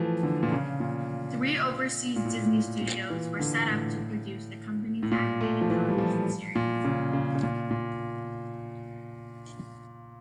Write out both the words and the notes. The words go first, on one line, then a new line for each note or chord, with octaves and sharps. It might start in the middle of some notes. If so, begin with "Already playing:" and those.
Three overseas Disney studios were set up to produce the company's animated television series.
Already playing: E3 F3 A3
D3
A#2
C#3
A#2
A#2
A2
A#2
E3
D3
A2
A2
A#2
A3
F3
E3
G3
F3
A#2
C#3
C#3
C#3
A#2
A#2